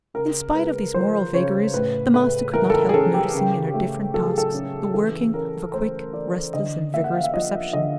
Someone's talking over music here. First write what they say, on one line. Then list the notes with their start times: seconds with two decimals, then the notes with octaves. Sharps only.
In spite of these moral vagaries, the master could not help noticing in her different tasks the working of a quick, restless, and vigorous perception.
0.14 C#3 A#4
0.54 G#3 B4
0.94 F3 C5
1.34 C#3 C#5
1.74 A2 B4
2.14 A3 B4
2.54 E3 A#4
2.70 A4
2.74 A#4
2.89 G#4
2.94 C#4 A4
3.14 G4
3.34 C#3
3.74 A3
4.14 F#3 A4
4.26 G#4
4.38 A4
4.54 C#4
4.94 E3 A4
5.34 C#4 A#4
5.74 A3 C5
6.13 E3 D5
6.54 D3 D#5
6.94 A#3 E5
7.04 F#5
7.14 F5
7.24 E5
7.34 F3 D#5
7.73 D3 D#5